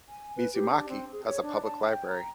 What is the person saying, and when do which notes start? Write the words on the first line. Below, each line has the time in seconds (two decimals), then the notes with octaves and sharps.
Mizumaki has a public library.
0.08 G#5
0.36 B4
0.54 G4
0.69 D4
0.89 C4
1.12 G#4
1.24 C#5
1.42 D4
1.62 A5
1.85 G5
2.07 A#5